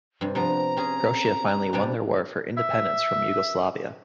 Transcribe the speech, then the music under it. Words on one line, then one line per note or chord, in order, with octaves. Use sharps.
Croatia finally won their war for independence from Yugoslavia.
G2 C3
C3 F3 B3 A#5
C3 C#4 G#4
C3 G3 D4
E5